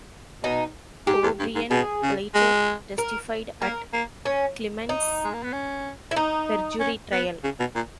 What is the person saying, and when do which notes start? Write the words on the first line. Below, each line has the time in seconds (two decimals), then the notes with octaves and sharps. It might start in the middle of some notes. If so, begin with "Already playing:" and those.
O'Brien later testified at Clemens' perjury trial.
0.43 B2 D#4
1.07 G#2 G4
1.23 E2
1.39 G2
1.55 G#2
1.71 B2 G#4
2.03 C#3
2.34 G#3
2.98 A#4
3.62 A#3 A#4
3.93 A#3
4.25 C#4
4.89 D#4
5.24 G#3
5.34 A#3
5.43 B3
5.53 C#4
6.11 E4
6.16 D#4
6.80 C#4
7.12 B3
7.44 C#3
7.59 B2
7.75 A#2